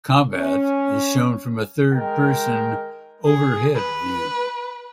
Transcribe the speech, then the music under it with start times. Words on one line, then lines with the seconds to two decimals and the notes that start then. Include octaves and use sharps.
Combat is shown from a third-person overhead view.
0.32 C#4
1.93 D#3 G#3 A#4 D#5 G5
3.26 G#4
3.75 B4